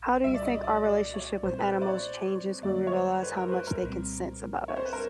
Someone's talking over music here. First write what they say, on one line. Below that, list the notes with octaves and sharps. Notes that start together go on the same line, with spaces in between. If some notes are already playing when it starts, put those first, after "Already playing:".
How do you think our relationship with animals changes when we realize how much they can sense about us?
Already playing: A#1 A#2
C2 A#2 G3 E5
D5
D#5
D5
D5
C#5
B1 A#2 G3 C4 C5
B4
C5
D5
C#5
F2 D3 G3 A#3 D5
C#5
C5
B4
A#4
C5
B4
A#4
C2 A#2 G3 C4
C#5
C5
B4
A#4